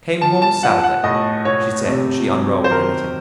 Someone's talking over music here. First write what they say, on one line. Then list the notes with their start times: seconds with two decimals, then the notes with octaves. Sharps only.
"I came home Saturday," she said, as she unrolled her knitting.
0.21 F3 A5
0.42 A5
0.63 F3 F#5
0.83 F#5
1.04 A2 D#5
1.45 A2 C#5
1.88 C3
2.29 F#3
2.64 C5
2.71 D#3 A#4